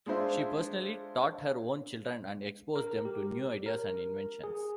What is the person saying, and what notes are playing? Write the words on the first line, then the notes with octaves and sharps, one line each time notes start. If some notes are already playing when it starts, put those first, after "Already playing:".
She personally taught her own children and exposed them to new ideas and inventions.
G#3 D4 F4 C5 E5
A#4
G4
A#4
G#4